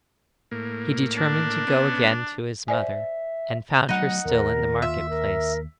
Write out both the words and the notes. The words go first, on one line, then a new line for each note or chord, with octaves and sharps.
He determined to go again to his mother, and found her still in the market-place.
A2 A#3
D4
B3 C#4
C5 D5 E5 G#5
F#3 A3 B3 D#4 F#5
D#2 A#4
F4 E5
A#4